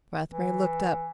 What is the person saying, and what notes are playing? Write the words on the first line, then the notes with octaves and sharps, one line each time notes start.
Rathbury looked up.
E3